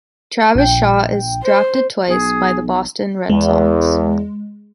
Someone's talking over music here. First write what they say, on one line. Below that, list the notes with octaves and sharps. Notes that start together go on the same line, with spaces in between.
Travis Shaw is drafted twice by the Boston Red Sox.
A#1 G5
C5
B1 G#4
E2 G#3